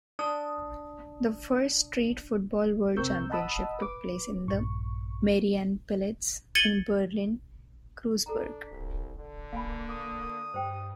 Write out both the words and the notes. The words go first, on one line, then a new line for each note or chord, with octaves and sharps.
The first Street Football World Championship took place in the Mariannenplatz in Berlin-Kreuzberg.
D4 D#6
C2 C4 A#4 C#6 E6 G6
D#5 F#5 A5 B5 D#6 E6
B4 D6
A#1 G2 C#6
G#6 A6 C#7 D#7 F#7 G7
D4 A4 A#5
C2
D3
A#3 F5 G#5 B5
D6 D#6
G2 C5 G5